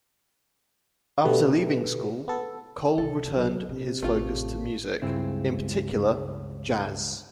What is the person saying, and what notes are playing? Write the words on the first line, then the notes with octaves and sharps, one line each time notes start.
After leaving school, Cole returned his focus to music; in particular, jazz.
B2 D3 G3 A3 B4
B3 A4
C2 A4
F#3
A#1 C3
A1 A3 F4
C#2 G2 G#3 C4 E4